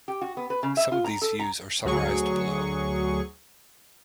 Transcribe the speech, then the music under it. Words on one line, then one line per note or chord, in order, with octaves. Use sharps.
Some of these views are summarized below.
G4
F#4
B3
B4
C#3
E5
F4
A#5
A4
A#5
D2 F#3 G#4 C#6